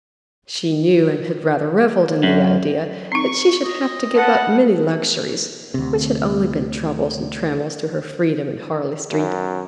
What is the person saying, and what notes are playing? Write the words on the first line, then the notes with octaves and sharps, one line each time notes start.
She knew, and had rather revelled in the idea, that she should have to give up many luxuries, which had only been troubles and trammels to her freedom in Harley Street.
F#2
C4 D#4 C#6
D#5
B4 F#5 A5
D2 C3
F#2